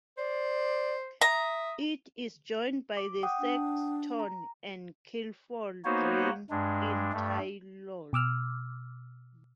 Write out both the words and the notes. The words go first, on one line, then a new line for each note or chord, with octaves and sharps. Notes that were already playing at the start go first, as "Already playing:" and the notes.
It is joined by the Sexton and Kilfoil Drain in Taylor.
C5 D5
E5 A#5 D#6
D6
F#5 G5 D#6
D4
A#5
A#3 B3 D#4 F#4 C5 C#5
G2 G#3 D4
G2 A3
B2 D6 E6 F6